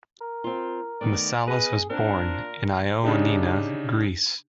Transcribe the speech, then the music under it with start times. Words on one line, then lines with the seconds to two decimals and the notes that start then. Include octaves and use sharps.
Massalas was born in Ioannina, Greece.
0.21 A#4
0.44 C4 F4
1.01 D#3 A3 B3 D5
1.47 B3 G#4 B4 D#5
1.90 A#2 C4 D4 A#4
3.03 C#3 D4 D#4 G4